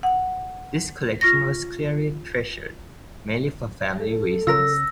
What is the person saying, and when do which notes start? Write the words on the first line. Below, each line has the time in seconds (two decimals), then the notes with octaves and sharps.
This collection was clearly treasured, mainly for family reasons.
0.03 F#5
1.21 F4 C#6 A#6
3.99 A4
4.47 C#3 F4 A#4 E6 A#6